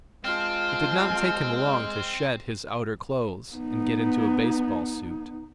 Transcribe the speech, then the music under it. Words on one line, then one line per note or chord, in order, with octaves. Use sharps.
It did not take him long to shed his outer clothes and get into a baseball suit.
G#3 C4 F4 A5 F6
B3 D#4